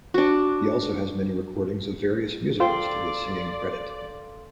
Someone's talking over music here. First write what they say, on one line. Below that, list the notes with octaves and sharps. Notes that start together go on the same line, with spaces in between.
He also has many recordings of various musicals to his singing credit.
D4 F#4
F4 A4 C5 D5 F5 G5 C6